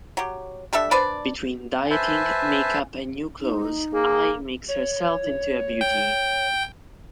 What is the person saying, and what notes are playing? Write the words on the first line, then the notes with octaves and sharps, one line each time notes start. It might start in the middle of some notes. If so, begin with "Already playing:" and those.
Between dieting, makeup and new clothes, Ai makes herself into a beauty.
F#3 G4
G3 D4 A4 E5
D4 B4 C5 D5
B4 C5 E5 G#5 A5
D#4
A#3 G#4
C#5
G5